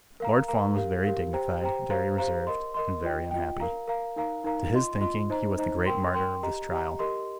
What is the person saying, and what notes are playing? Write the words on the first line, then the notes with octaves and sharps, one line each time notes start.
Lord Fawn was very dignified, very reserved, and very unhappy. To his thinking he was the great martyr of this trial.
A#4 F5 A#5
A#4 F5 A#5
G4 A#4 F5
G4 A#4 F5
G4 C5 G5 A#5
G4 C5 G5 A#5
G4 C5 F5 A#5
G4 C5 F5 A#5
A#4 D#5 C6
A#4 D#5 C6
F4 D#5 G5
F4 D#5 G5
A#4 F5 A#5
A#4 F5 A#5
D#4 A#4 F5 A#5
D#4 A#4 F5 A#5
F4 D#5 C6
F4 D#5 C6
D#4 C5 D#5 A#5
D#4 C5 D#5 A#5
A#4 G5 C6
A#4 G5 C6
G4 D#5 A#5
G4 D#5 A#5
G4 A#4 D#5 C6